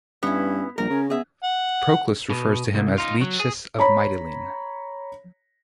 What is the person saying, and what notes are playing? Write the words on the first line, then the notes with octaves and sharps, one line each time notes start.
Proclus refers to him as "Lesches of Mytilene".
G2 B3 C#4 E4
A#1 G3 A#4
C#3 C#4
B3 G#4 E5
F#5
B2
C2
D#4 F4
F#3
G#4
C#5 A#5 B5